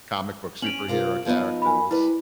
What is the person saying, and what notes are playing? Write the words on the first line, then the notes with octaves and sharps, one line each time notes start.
comic book superhero characters.
C#4 G#5 D7 F7 F#7
C3 F4 A#4
F3 B3 D#4
G#5 B5
G3 E4 B4